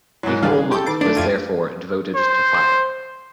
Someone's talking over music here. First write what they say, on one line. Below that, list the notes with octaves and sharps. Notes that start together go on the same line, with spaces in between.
The whole month was therefore devoted to fire.
G#2 F#3 E4 A#4
D#3 G3 D4 G#4 B4 F5
G4 A4 G5 G6
D#3 D#4 D6
A3 D4
F2 E4 F4 G4 G#6 D#7
C5